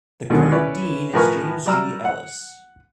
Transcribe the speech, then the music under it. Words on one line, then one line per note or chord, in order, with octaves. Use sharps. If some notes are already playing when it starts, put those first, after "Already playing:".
The current Dean is James G. Ellis.
D#2 B2 D3 D#3 G#3
C#4 E4 B4 C#5 D5
A2 F3 A#4 B4 G#5 C#6
F#3 G3 D5 A#5 E6 F6
F#5